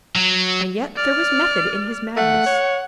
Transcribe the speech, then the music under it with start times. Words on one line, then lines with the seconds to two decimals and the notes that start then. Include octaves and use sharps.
And yet there was method in his madness.
0.16 F#3
0.96 D5 F6
2.16 A3 F#5
2.46 C#5